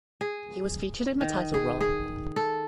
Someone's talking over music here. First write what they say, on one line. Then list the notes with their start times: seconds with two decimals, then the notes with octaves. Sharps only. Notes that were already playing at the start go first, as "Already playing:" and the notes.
He was featured in the title role.
0.21 G#4
1.21 D#3
1.54 G#4
1.81 G#4
2.36 A4